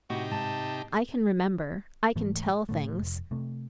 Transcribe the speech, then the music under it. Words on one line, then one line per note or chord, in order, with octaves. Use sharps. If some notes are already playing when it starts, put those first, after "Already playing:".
I can remember; I can tell things!
A2 C3 D#4 F#4 G4
G#2 A5
G#2 E3 A3
A2 D3 A3
F1
C3 A3